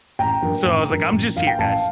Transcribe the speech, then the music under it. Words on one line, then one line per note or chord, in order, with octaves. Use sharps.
So I was like, "I'm just here, guys,"
A1 G5 A#5
G2 F3 A#3
A1
G2 F3 A#3
A1
G2 F3 A#3 F5
G5
A1 F5 A5